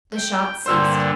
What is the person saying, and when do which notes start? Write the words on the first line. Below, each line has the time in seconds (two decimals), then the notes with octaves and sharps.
The shots ceased.
0.15 G5
0.66 G2 A#2 D3 C5 E6 F6